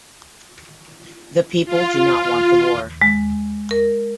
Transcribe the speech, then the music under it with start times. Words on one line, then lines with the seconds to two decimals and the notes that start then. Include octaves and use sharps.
The people do not want the war.
1.65 F4
3.02 G#3
3.71 A#4